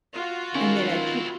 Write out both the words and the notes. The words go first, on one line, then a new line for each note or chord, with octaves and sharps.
and then a hu
F4 F#4
D#3 C4 C#4 E4 A#4 F#5